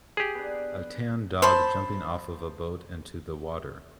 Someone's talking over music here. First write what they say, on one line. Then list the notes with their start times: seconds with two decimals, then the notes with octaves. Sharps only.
A tan dog jumping off of a boat into the water.
0.17 G4 G#4
0.35 B3 D4
1.42 C5 A5 B5